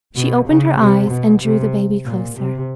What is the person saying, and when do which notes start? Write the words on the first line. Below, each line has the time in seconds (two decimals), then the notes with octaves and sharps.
She opened her eyes and drew the baby closer.
0.15 B2
0.47 C#3
0.79 C3
1.11 B2
1.42 C3
2.05 A#2
2.37 C3